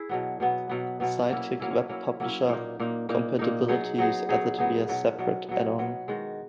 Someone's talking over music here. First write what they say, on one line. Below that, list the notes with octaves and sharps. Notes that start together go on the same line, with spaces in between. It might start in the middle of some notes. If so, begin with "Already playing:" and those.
Sidekick Web Publisher compatibility is added via separate add-on.
Already playing: E4 G#4
B2 F#3 B3
B2 F#3 B3
B2 F#3 B3
B2 F#3 B3
F#3 A#3 C#4 E4
F#3 A#3 C#4 E4
F#3 A#3 C#4 E4
F#3 A#3 C#4 E4
A#2 A#3 D#4
A#2 A#3 D#4
A#2 A#3 D#4
A#2 A#3 D#4
F#3 B3 D#4 G#4
F#3 B3 D#4 G#4
F#3 B3 D#4 G#4
F#3 B3 D#4 G#4
B2 F#3 B3
B2 F#3 B3
B2 F#3 B3
B2 F#3 B3
D#3 G#3 B3 F#4